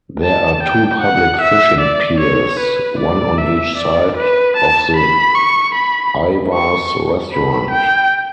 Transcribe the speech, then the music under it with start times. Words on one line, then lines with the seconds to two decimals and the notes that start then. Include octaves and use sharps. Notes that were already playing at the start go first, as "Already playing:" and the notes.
There are two public fishing piers, one on each side of the Ivar's restaurant.
0.23 A5
0.63 G5
1.02 F#5
1.41 E5
1.81 D5
2.20 C#5
2.60 B4
2.99 D5
3.38 E5
3.78 D5
4.17 B4
4.57 A5
4.96 B5
5.35 C#6
5.75 B5
6.54 C#6
7.32 B5
7.71 G5